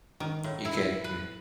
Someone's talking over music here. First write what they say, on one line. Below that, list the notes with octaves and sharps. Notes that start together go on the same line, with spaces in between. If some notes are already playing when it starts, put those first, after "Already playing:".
You can n
D#3
A2
E4
B4